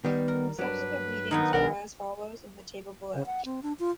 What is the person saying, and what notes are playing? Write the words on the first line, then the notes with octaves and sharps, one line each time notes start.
Subsequent meetings are as follows in the table below.
D#3 G3 B3
A#4
G2 F#3 D4 B4
D#3 F#3 B3 D#4
B1 D4 A#4 D5 F#5
C#3
F#5
C4
D4
F4